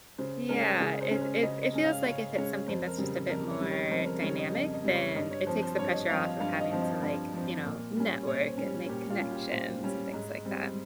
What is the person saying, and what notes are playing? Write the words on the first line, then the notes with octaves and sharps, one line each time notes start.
Yeah, it it it feels like if it's something that's just a bit more dynamic. Then, it takes the pressure off of having to, like, you know, network, and make connections, and things like that.
C#3 C5
G#3 C#4 A#4
C#3 G#4
C5
G#3 C#4
C5
C#3 D#5
D#5
G#3 C#4
F5
C#3 C#5
G#3 C#4 C#5
F2 C5
A#4
C#3 G3
F2 A#4
C#5
C#3 G3
C#5
F2 C5
A#4
C#3 G3 C#5
D#5
F2 D#5
D#5
C#3 G3
C#5
G2 D#5
C#5
F3 C4 C5
C5
G2 C#5
D#5
F3 C4 F5
D#5
G2 F5
D#5
F3 C4
D#5
G2
F3 C4
A#2
G3 C#4
A#2 C#5
C5
G3 C#4
A#2 G4
F4
G3 C#4
G4
A#2 C5
G3 C#4
G#2
G3 C4